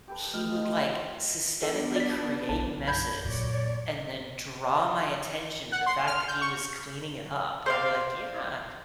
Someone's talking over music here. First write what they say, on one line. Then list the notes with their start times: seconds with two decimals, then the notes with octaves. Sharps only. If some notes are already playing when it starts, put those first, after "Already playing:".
he would, like, systemically create messes and then draw my attention to the fact that he was cleaning it up. And I'd be like, "Yeah.
0.08 G4 A4 B4
0.34 A3 D#4 F6
0.65 E5 C6
0.86 F#4 D#5 E5
1.63 B3 D4 A4
1.96 D5 B6
2.49 B1 B2 A5
2.87 F#2 B5 G6 G#6
3.24 F#2 A#2 C#5 D5
5.72 F#5
5.86 C6
6.07 F6
6.28 G6
6.41 C#6
7.66 C5 D5 F5